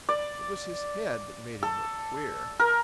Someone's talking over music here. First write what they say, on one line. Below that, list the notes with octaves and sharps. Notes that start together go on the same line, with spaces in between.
It was his head that made him look queer.
D5
A4
A#4